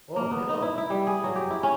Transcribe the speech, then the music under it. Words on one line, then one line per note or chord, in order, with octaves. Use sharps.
"Oh, hello!" said the man.
A#3
B3
D#4
E4
E4
G3
G#4
F#3
G4
E4
C#4